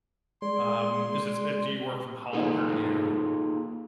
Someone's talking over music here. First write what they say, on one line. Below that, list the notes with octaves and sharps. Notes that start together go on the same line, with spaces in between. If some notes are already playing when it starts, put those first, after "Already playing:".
Um, is it so do you work from home or do you
G#3 G#4 D5 C6
A#3 D#4 F4 G#4 A4